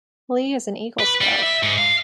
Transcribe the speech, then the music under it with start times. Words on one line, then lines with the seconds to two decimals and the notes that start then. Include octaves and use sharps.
Lee is an Eagle Scout.
1.00 B4
1.21 G3
1.43 E5
1.63 G#2
1.78 F5